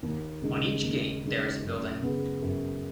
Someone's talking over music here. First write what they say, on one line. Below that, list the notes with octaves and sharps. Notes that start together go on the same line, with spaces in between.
On each gate there is a building.
D#2
C#3 G#3 D#4
D#2
C#3 G#3 D#4
F#2
C#3 B3 G#4
F#2